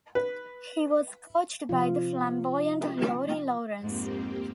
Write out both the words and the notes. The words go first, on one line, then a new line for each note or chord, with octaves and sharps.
He was coached by the flamboyant Laurie Lawrence.
B4
C3 F3 F4
F2 G#2 A#3 C4 G4